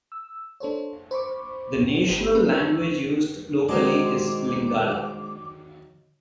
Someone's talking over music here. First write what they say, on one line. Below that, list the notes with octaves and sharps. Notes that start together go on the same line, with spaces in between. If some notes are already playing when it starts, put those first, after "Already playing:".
The national language used locally is Lingala.
E6
D4 A4 C5 C#5
C5 B5 C#6 D6
G1 G4 C5 D#5
A#3 C#4 A#4 B4
C#6 E6
D#3 F#3 G#3 C5 D5 D6